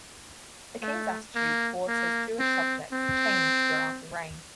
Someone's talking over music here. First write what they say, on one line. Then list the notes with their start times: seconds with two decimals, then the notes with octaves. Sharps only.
The King's attitude towards his Jewish subjects changed throughout his reign.
0.82 A3
1.36 A#3
1.87 A#3
2.40 C4
2.93 C4